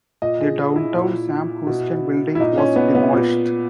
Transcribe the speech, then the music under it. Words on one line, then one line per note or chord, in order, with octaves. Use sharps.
The Downtown Sam Houston building was demolished.
A#2 D#5
G#4
E4
A#2
B2
E4
A#2 D#4
C#4
B3
B3
A#2